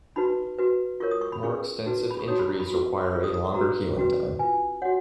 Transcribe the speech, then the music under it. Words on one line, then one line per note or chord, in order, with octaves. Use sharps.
More extensive injuries require a longer healing time.
D#4 F#4 B4 B5
F#4 B4
F4 A#4 C#5 C#6
D#6
C#6
B5
C#4 G#4 B4 C#6
D#4 F#4 B4
B5
C#6
D#4 F#4 C#5 D#6
B5
A#5
C#6
B5
F#4 B4
F4 G#4 C#5 C#6
D#6
D#6
C#6
F#4 B4 A#5
C#4 F#4 B4
F4 B4 G#5
F#4 C#5 F#5